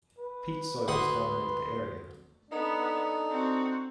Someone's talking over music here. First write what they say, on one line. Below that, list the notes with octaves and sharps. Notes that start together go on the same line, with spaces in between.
Peat soils dominate the area.
B4
D2 F#5 C6 D#6
B3 D4 D#4 A4
C4 F#4